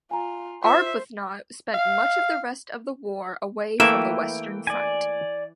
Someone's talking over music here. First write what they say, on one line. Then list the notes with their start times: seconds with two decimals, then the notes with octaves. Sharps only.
Arbuthnot spent much of the rest of the war away from the Western Front.
0.11 F4 G#5 A#5
0.64 F4 C5 E5
1.74 F5
3.80 E3 A3 A#3 E5 G5
4.67 D5 G#5